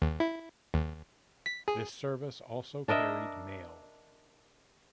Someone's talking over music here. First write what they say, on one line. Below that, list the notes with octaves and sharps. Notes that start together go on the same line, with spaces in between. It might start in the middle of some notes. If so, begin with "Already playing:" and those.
This service also carried mail.
D#2
E4
D#2
B6
G#4
D4 A#4 D#5 E5